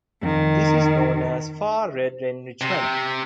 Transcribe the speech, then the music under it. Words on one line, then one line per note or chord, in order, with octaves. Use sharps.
This is known as far red enrichment.
F2 D#3
C3